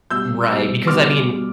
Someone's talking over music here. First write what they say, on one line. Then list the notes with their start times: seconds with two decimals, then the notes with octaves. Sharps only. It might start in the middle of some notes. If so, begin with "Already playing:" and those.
Right, because, I mean,
0.10 B2 G3 E6 G6
0.50 B2 G3
0.87 B2 G3 D6 F6
1.27 B2 G3